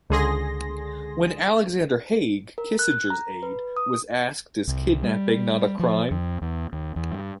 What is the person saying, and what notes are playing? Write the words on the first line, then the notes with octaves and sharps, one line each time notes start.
When Alexander Haig, Kissinger's aide, was asked is kidnapping not a crime?
C#2 D3 G#4 C6 A#6
A#4
F#6
A#5
B4
D#6
C2
G3
F3
F2
E2
D#2
E2
G2